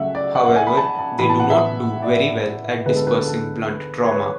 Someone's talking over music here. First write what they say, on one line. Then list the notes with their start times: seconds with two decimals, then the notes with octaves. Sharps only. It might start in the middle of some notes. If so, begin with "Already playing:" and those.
However, they do not do very well at dispersing blunt trauma.
Already playing: C#2 C#3 F#3 A3 E5 F#5
0.15 D5
0.35 F#5
0.46 F#5
0.56 G#5
0.67 B5
0.77 A5
0.99 A5
1.19 A2 E3 B3 B5
1.29 A5
1.40 F#5
1.50 E5
2.02 D5
2.86 D2 D3 G#3 B3 B4
2.96 A4
3.07 B4
3.17 A4
3.27 A4
4.04 C#5
4.11 B4